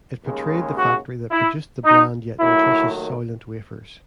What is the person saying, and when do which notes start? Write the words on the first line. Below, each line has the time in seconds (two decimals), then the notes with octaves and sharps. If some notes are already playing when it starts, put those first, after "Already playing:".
It portrayed the factory that produced the bland yet nutritious "Soylent" wafers.
0.23 D#2 C#3 G#3
0.77 F#4
1.31 E4
1.85 D#4
2.38 D#2 D#3 F#3 A3 E4